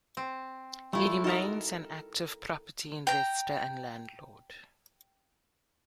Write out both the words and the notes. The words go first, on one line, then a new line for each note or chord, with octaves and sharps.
He remains an active property investor and landlord.
C4
G3 A3 E4 F4
D#4 F#4 A4 A#4 D#5
G5 A#5